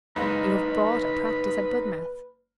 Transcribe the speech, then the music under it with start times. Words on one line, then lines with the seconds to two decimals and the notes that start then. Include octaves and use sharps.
You have bought a practice at Budmouth.
0.16 F#1 G#3 D#4 B4 F5 B5